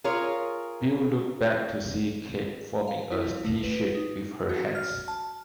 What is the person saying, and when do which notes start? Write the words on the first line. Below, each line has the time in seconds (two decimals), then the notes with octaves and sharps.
Bill looked back to see Kate forming a T-shape with her hands.
0.04 F4 G#4 A#4 C#5
2.88 F5
3.12 E4
3.45 A3
3.63 B4
3.95 D#4
4.49 F#4
4.75 F6
5.08 A5